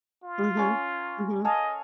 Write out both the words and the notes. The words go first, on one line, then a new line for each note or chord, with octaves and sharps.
Mhm, mhm.
F4
C#4 A#4
A4 D#5 F5 G#5